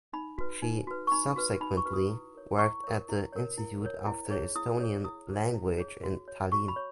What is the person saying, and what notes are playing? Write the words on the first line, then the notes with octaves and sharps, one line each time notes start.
She subsequently worked at the Institute of the Estonian Language in Tallinn.
D#4 B5
F#4 B4
D#4
F#4 B4
C#6
D#4 B5
F#4 B4
D#4 B5
C#6
F#4 B4
D#6
E4
A#4 C#5
E4 C#6
A#4 C#5
E4
A#4 C#5
E4
A#4 C#5
E4
G#4 C#5
E4 D#6
G#4 C#5
E4 D#6
G#4 C#5
E4
G#4 C#5
F#4
C#5
F#4 C#6
B5
C#5